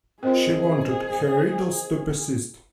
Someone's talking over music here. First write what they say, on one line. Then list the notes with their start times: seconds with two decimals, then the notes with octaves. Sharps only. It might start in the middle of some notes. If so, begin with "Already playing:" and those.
She wanted her riddles to persist.
0.23 C4 F4 G#4 A#4 C5 D#5